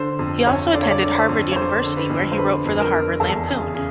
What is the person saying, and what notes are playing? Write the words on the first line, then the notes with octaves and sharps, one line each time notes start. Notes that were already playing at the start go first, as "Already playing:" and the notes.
He also attended Harvard University where he wrote for the "Harvard Lampoon".
Already playing: D3 C5
F2
F2 C#5
D3 D5
C#5
D5
D3
C5
F2
C#5
D3 C5
D3
B4
F2
C5
D3 B4
F2
A#4
F2
E2 A4
C#3 G#4
C#3 G#4